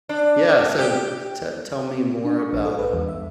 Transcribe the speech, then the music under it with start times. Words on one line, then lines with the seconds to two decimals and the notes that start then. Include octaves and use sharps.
Yeah, so t t tell me more about, um,
0.09 D4
0.78 G4
2.25 D4
2.39 C#6
2.53 A#1
2.65 A4
2.79 B4
2.93 E2
3.09 E5